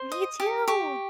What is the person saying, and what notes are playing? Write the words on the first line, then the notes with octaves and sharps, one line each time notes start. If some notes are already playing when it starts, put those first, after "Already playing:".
Me too.
Already playing: C5
D#5
G4
G4 C#6